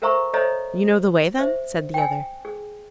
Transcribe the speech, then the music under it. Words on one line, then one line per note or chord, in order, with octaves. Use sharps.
'You know the way then?' said the other.
A4 A#4 C5 E5 A#5 C#6
A4 C5 C#5 D#5 E5 A#5
C5 E5
G5 G#5
G#4